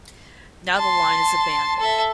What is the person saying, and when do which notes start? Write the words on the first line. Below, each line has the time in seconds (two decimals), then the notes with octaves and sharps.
Now the line is abandoned.
0.76 A5 C6
1.79 A4 E5